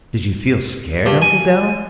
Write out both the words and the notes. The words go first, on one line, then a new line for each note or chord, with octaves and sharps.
"Did you feel scared, Uncle Dan'l?"
G2
G#5